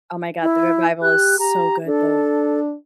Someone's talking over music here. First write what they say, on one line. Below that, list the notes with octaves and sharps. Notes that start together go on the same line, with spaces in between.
Oh my god, the revival is so good, though.
E4
G4 F#6
G4 A#5
D4 A4